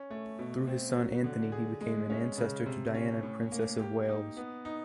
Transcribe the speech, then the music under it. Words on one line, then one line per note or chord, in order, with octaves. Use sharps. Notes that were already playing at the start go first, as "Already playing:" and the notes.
Through his son Anthony, he became an ancestor to Diana, Princess of Wales.
Already playing: C#4
A3
B2
C4
F#3
D3
G#4
G#3
C#4
C#3
C3
C#4
A2
A#3
G4
D#4
B3
D#4